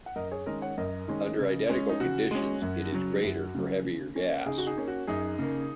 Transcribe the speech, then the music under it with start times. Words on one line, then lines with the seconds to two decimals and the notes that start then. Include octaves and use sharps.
Under identical conditions, it is greater for heavier gas.
0.06 F#5
0.16 F#2 A#4 D#5
0.32 G#4 C#5
0.46 D#3 G#3 C#4 A#4 D#5
0.62 C#5 F#5
0.78 F#2 A#4 D#5
1.08 D#3 G#3 C#4
1.39 C#3
1.69 G#3 C#4
1.89 D#4
2.00 C#3 F#4
2.31 G#3 C#4
2.62 F#2
2.92 C#3 F#3
3.23 F#2
3.55 C#3 F#3
3.85 C#3
4.16 A#3 C#4
4.46 C#3 D#4 G#4
4.58 F#4
4.67 D#4 G#4
4.77 A#3 C#4
4.88 F#4
5.07 F#2 D#4 G#4
5.39 C#3 A#3